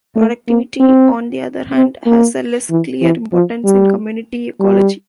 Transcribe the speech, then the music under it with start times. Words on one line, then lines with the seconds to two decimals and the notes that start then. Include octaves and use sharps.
Productivity, on the other hand, has a less clear importance in community ecology.
0.16 A3
0.48 A#3
0.80 C4
1.75 C4
2.06 A#3
2.70 E3
3.02 E3
3.33 F3
3.64 G3
4.60 G3